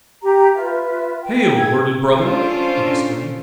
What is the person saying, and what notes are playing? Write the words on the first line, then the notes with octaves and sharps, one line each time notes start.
"Hail, learned brother!" it exclaimed.
G4 A#5
F4 B4 E5
G5
G#4 G5 E6 G#6
C#4 D4 F4 A4 C5